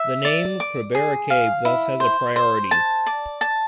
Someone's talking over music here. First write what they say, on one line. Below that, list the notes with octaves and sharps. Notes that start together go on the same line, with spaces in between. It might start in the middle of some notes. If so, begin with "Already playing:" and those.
The name "Krubera Cave" thus has a priority.
Already playing: E5
D5
D6
G#4
F5
E4
C5
C5
A5
D5
A5